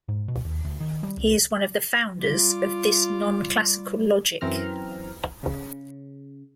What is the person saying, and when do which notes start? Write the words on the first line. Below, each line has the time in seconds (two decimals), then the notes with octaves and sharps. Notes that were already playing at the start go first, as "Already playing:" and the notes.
He is one of the founders of this non-classical logic.
0.08 G#2
0.28 B2
0.45 D#2
0.65 D2
0.80 D#3
1.03 G3
1.17 C2
2.23 G3 F4 D6
4.41 F#2 E3 C4 A#5 F6
5.43 C#3